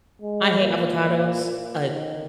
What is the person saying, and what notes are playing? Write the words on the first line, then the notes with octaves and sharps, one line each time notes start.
I hate avocados, uh
G#3
A#2
A#2
A#2
D#3